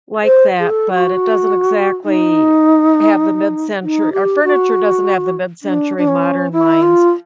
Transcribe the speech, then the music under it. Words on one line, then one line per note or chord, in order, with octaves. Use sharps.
like that, but it doesn't exactly have the mid-centur our furniture doesn't have the mid-century modern lines.
C5
G#4
A4
F#4
D#4
D#4
G4
F#4
D4
D4
C#4
E4
F4